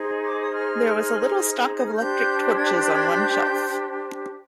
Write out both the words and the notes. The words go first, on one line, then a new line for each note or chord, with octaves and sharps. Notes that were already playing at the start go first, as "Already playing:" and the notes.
There was a little stock of electric torches on one shelf.
Already playing: D#4 G#4 C5
D6
D#6
F6
D#6
F6
D4 G4 C5 G6
G#6
G6
G#6
G6
G6